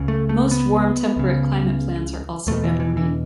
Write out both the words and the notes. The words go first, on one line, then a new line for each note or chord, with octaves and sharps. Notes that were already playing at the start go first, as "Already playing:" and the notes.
Most warm temperate climate plants are also evergreen.
Already playing: C#2 C#3
A3
A3
B3
C#2 C#3
E2 B2 A3
E3
E3
E3